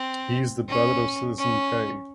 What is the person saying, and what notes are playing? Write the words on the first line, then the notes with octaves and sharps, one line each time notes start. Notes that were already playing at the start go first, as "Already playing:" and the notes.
He is the brother of Citizen Kay.
Already playing: C4
C#4
C#4